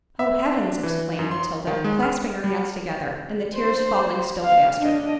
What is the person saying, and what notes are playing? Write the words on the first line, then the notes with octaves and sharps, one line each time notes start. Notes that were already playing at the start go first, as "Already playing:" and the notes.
"Oh Heavens!" exclaimed Matilda, clasping her hands together, and the tears falling still faster.
E5
D4
E3
F#2
C6
D#3
G#3
F6
G3
C5
F5
D4 D#5